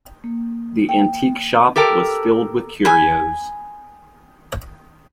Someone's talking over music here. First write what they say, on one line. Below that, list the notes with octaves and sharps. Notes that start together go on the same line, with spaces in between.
The antique shop was filled with curios.
A#3
G5
G4 A4 A#4 G5
G#5 B5